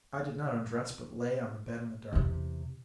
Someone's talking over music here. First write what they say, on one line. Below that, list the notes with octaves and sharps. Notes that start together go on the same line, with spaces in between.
I did not undress, but lay on the bed in the dark.
E2 C3